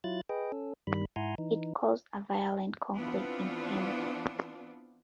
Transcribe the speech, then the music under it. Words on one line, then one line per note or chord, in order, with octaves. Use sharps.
It caused a violent conflict in him.
F#3 E4 F4 F#6 A6
G#4 B4 D#5 G5
C#4 A4
G2 D#3 G3 B5
G#2 E4 F#5 G#5 A#5 C6
E3 D#4
E3 B3 C4 D4 F4